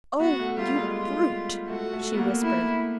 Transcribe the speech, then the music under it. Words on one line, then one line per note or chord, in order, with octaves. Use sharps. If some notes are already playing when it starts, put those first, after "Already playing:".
"Oh--you brute!" she whispered.
B3 F#4
A3
G3 F4
G#3
F4
A3 F#4
A3
B3
A#3
E4